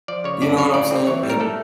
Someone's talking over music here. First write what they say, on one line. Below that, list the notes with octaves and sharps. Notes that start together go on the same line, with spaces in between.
You know what I'm saying? And
F3 D5
C#3 C#5
F#2 D5
C#3 C#5
A2 D5
C4
E3 C#5
G3
A#4
A3 A4